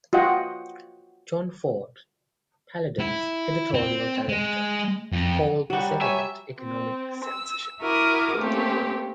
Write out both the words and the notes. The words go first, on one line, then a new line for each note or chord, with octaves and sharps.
Jon Ford, Paladin's editorial director, called the settlement economic censorship.
F4 F#4 D#5 F#5 G5
E4
C4
G#3
F2
F#3 G3 F#4 F#5
C#5 E5 G#5
C4
E6
E4 F#4 A#4 D6 D#6
A3 A#3 C4 C#4 G4